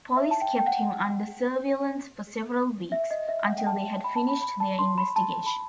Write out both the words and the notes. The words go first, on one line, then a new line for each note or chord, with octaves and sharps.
Police kept him under surveillance for several weeks, until they had finished their investigation.
E5
A5
G5
G5
F#5
E5
D#5
E5
F#5
G5
A5
B5
A5
B5
B5
A5
C6
B5
A5
B5